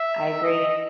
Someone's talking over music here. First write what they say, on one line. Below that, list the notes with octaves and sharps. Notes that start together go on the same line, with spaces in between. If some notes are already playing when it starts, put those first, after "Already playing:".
I agree.
Already playing: E5
D#5